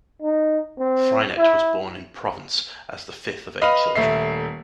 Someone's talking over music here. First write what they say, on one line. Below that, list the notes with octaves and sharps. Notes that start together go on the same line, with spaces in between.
Freinet was born in Provence as the fifth of eight children.
D#4
C4
E4
B4 D#5 F5 B5
D#1 A3 E5 C7